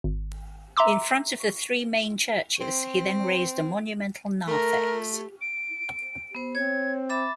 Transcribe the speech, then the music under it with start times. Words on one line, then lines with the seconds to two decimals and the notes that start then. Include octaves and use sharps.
In front of the three main churches, he then raised a monumental narthex.
0.04 G#1
0.77 E5 A#5 C6 D6 E6
2.61 C4
4.47 A3 A#4
5.41 D7
6.35 B3 C5
6.55 C4 C#5 G#6
7.09 E5 B5 D6 A6